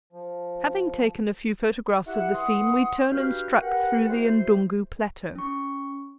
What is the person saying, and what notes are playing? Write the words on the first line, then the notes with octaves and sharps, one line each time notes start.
Having taken a few photographs of the scene, we turned and struck through the N'dungu Plateau.
F3
E4 G4 E5 F#5
E3 F#5 C6 D#6
G2 F#4 B4 F5 G5 F6
G4 A#4 B4 F#5
E4 F#4 G#4 C5
C#4 C#6